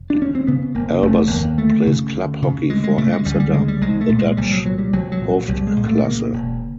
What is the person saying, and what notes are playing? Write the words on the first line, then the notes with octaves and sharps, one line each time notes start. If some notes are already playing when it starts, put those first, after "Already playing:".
Albers plays club hockey for Amsterdam in the Dutch Hoofdklasse.
Already playing: F1
D4
D#2 C#4
C4
C#3 B3
F1 A#3
F1 A3
D#2 A#3
D2 A3
C#3
D2
C#3
D2 G#3
G#3
C#3 A3
G#3
D2 G3
G3
C#3 G#3
G3
C2 G#3
A3
A#2
G#3
C2 G3
F#3
A#2 F#3
G3
C2 F#3
F#3
A#2
F#3
C2 G3
G#3
A#2
A3
C#3 A#3
E1